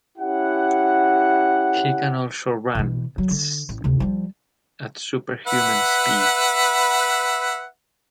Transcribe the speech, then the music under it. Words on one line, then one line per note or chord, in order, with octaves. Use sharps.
He can also run at superhuman speed.
C#4 E4 G4 F#5
B2 E3
F#3
D3
A1
D2 C3
F3 G3
B4 E5 F#5